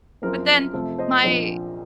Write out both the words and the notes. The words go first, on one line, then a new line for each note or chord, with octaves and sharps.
but then my
F#1 F#2 F3 C4 A#4
F2 C3 F3 A3 A4 C5
C5 D#5
A#1 A#2 F3 C4 C5 D#5